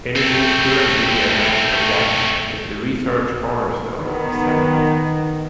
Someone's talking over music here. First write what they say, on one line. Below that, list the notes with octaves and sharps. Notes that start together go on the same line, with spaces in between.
Internews' current Media Map project is the research cornerstone of the Center.
A3 C4
D#3 B3